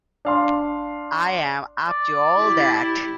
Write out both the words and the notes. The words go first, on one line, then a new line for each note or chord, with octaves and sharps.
I am up to all that.
D4 F5 C6
D5
E4 G4